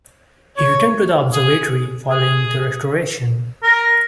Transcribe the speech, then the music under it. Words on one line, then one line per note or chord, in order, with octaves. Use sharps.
It was returned to the observatory following the restoration.
C#5
G#4
G#4
A#4